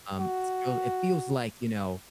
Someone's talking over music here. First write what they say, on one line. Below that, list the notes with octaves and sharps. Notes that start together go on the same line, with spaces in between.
um, it's feel it feels like, you know,
F#4